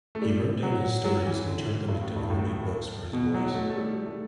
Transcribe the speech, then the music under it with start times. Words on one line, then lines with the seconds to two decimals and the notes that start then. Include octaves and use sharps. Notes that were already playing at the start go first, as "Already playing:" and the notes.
He wrote down his stories and turned them into homemade books for his boys.
0.15 A3
0.22 G3
0.63 F#3
1.04 F#3
1.26 E3
1.47 D3
1.89 G2
2.01 A2
2.16 G2
2.30 A2
3.13 B2
3.34 F#3
3.54 A3
3.70 A3
3.76 G3
3.97 G3
4.06 A3